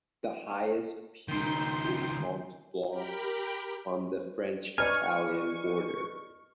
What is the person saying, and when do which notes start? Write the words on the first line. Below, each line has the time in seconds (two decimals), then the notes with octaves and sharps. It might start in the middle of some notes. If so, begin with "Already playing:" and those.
The highest peak is Mont Blanc, on the French-Italian border.
1.28 C#2 D#3 C6 G6
2.90 G4 A#4 G5 B5
4.78 B4 D5 D#5 G#5 C#6 F6